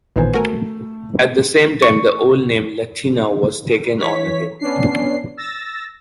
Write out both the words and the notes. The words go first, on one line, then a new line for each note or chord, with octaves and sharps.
At the same time the old name “Latina” was taken on again.
A1 D#2 A#2 B3 C5 G#5
A3 F#4 A#4 G#5
C#6
E3 C#5 B6
B3 C#4 D4 C7
E6 A6 A#6